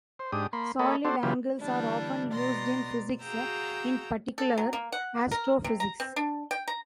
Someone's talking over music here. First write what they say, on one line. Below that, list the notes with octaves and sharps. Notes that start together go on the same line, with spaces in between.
Solid angles are often used in physics, in particular astrophysics.
C5
G#2 D4 G4 D#6
A#3 B5 C6
A#3 A4 C#5 D#5 B5
C4 D4 F#4 A4 C5
C#3 E3 F#3 F4 G4 B4
D3 E3 G3 A#3 D4 E4
B2 B3 D5 A#5 C6 A#6
F#4 G#4 F5 G5 A#5 E6
A4
F#3
A#3
F#5
A#4
C3
A#5
C4
D4
G5
A#5